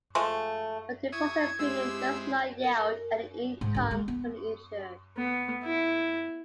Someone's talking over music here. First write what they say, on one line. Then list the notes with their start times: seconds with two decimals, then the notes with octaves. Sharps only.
The deposit premium does not yield any income to the insured.
0.15 F3 G#3 A3
1.12 E4 E5 C#6 D#6 G#6
1.59 G#3 C4 E4 G4 E6
2.64 A#4
3.61 G#2
3.75 D3 G3
3.91 G#3
4.08 B3
5.18 B3
5.64 E4